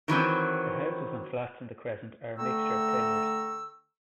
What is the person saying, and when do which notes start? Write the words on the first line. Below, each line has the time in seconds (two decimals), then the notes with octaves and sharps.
The houses and flats in the Crescent are a mixture of tenures.
0.08 D#3 E3 F#3 C4
2.38 D3 A3 G5 A#5 C#6 E6